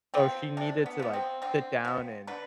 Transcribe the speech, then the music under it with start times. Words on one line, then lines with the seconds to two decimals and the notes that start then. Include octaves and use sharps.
so she needed to, like, sit down and
0.14 F3 B3 C4
0.57 C3 D4
0.86 B3
1.00 F3 B3
1.13 C4
1.42 D3 C4
1.85 F3 B3
2.27 D3 B4